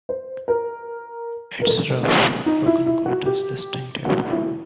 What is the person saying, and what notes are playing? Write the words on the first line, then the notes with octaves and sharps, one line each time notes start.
Its rough, broken coat is distinctive.
C5
A#4
A#4
A4
D#4
E4
E4
F#4
G4
F#4
E4